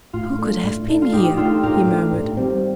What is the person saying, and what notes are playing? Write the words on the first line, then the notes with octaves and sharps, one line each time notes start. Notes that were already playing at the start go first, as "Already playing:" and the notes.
"Who could have been here?" he murmured.
A2 F4
A3 D4
A2
A3 D4
F4
A2 D#4 G4
A3 D4 F4 A4
A2 G4 A#4
A3 D4
A2
G3 C4